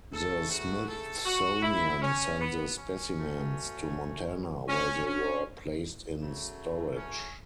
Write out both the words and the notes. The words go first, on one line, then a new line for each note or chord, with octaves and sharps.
The Smithsonian sent the specimens to Montana, where they were placed in storage.
C#3 A3 A4
F#4
A4
F#4
E4
C#4
B3
C#4
B2 F#3 A3
C#4
C#4
C#3 F#3 A3
C#4